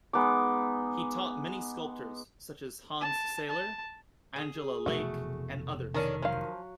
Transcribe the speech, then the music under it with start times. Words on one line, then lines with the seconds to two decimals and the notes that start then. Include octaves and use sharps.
He taught many sculptors, such as Hans Sailer, Angela Laich and others.
0.13 G#3 B3 D#4 D6
3.01 A5
3.50 A5
4.36 G#4
4.86 F1 B2 E3 A3 F#4
5.94 D#3 C#4 D4 A4
6.22 F3 F#3 F5